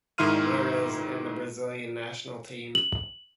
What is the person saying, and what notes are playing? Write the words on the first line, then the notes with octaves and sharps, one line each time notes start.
Palmeiras and the Brazilian national team.
G#2 D#3 E4 C6 F6 D#7
F#7